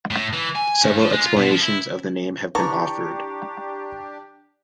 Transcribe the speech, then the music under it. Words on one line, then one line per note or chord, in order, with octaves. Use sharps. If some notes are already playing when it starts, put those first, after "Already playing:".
Several explanations of the name have been offered.
A2
E3
G#5
G2
F3
G#3
F4
B2
F3
E4
E3 D4 G4 A5 A#5 C#6